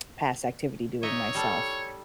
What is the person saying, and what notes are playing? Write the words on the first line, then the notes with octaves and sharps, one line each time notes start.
past activity doing myself,
D#4 C#5 D#5 E5
G3 A4